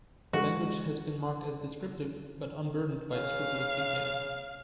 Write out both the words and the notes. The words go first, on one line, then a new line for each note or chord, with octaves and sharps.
Her language has been marked as descriptive but unburdened by scrupulous detailing.
F3 G#3 F#4
C#3 F5